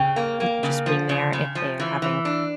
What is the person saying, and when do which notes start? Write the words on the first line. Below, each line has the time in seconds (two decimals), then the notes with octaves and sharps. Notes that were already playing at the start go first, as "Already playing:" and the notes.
n just being there if they're having,
Already playing: C#3 G5
0.16 A#3
0.40 A#3
0.63 C#3
0.86 F3
1.09 C#3
1.33 C#3
1.55 F3
1.80 E3
2.02 E3
2.25 D4